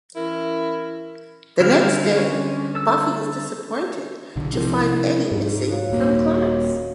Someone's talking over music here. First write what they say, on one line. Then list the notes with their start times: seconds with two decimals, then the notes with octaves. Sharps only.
The next day, Buffy is disappointed to find Eddie missing from class.
0.15 E3 C#4 E4 A#4
1.60 D3 G3 C4 E4 F5
2.17 C#4
2.75 A4 E6
4.36 B1 D3
4.54 C3 F3 E4 A#4
5.32 G#2 F4
5.69 F#4 C#5 F5
5.90 D#1 A#3